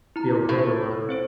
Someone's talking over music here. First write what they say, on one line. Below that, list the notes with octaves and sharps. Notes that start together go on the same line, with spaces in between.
the October month,
E4 A#5
A2
C4 C5 D7